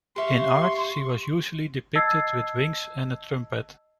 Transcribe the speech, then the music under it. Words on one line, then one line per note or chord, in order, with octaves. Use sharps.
In art, she was usually depicted with wings and a trumpet.
G4 E5 F5 C6 C#6
D#5 A5 E6 G#6 A6 C7